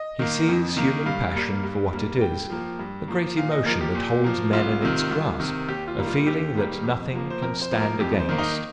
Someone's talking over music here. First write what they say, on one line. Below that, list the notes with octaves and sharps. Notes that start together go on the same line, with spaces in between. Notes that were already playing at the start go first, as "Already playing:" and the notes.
He sees human passion for what it is, a great emotion that holds men in its grasp, a feeling that nothing can stand against.
Already playing: D#5
D#3 A#3
F2
D#3 A#3
G2 F5
G3 A#3
G2
G3 A#3
G2 G5
F3 A#3
G2
F3 A#3
A#2 F5
D#5
F3 A#3 A#4
G4
A#2
F3 A#3
C2 F4
C3 D#3
C2
C3 D#3
D#2 G4
F4
D#3 G3 A#3
F4
D#2 G4
D#3 G3 A#3
F2
F3 A#3
C5
F2 A#4
C5
F3 A#3
A#4
F2 G4
C5
D#3 A#3
D#4